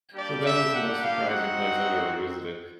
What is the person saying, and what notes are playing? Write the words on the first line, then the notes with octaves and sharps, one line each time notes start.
So that was the most surprising place I've ever visited.
G3 A#3 D4 G4 D5
E5
F#5
F5
C4 D#4 F#4 F#5